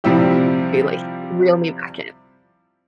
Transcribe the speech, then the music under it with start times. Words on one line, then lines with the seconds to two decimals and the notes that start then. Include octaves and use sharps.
be, like, reel me back in.
0.04 C3 F3 G3 C4 E4 G4